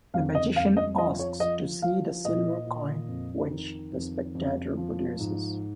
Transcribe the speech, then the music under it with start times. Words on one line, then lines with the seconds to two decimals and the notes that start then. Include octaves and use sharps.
The magician asks to see the silver coin which the spectator produces.
0.14 F2 F5
0.35 D#5
0.56 F2 F5
0.77 D#5
0.98 F3 D#5
1.19 C#5
1.40 F3 D#5
1.82 F3 F5
2.24 A#2 D#5
2.67 A#2
3.09 F2
3.51 D#3
3.93 F2
4.35 F2
4.77 F3
5.19 G#2